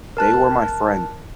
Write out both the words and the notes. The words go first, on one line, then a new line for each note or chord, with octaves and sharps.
They were my friend.
A#4 A5 F#6